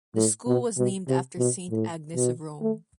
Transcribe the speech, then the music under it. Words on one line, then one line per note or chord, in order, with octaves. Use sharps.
The school was named after Saint Agnes of Rome.
A2
B2
B2
C3
B2
A2
B2
A3